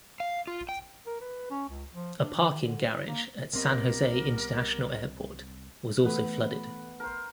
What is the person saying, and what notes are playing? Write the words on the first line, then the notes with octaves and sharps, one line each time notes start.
A parking garage at San Jose International Airport was also flooded.
F5
F4
G5
A#4
B4
C#4
C#2
F3
D4
D#3
D3
E4
A#3
C2 B3 C4 G4 A#4 D#5
E3 A3 B3 B4
A#4 C5